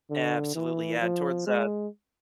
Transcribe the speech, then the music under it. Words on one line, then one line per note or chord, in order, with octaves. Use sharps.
Absolutely, yeah, and towards the
D3
E3
F3
G#3